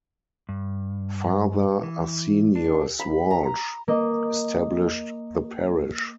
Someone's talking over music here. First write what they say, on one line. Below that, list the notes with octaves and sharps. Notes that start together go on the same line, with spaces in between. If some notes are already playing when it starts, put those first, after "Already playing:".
Father Arsenius Walsh established the parish.
G2
E3
D4
B5
A#5
A#3 D#5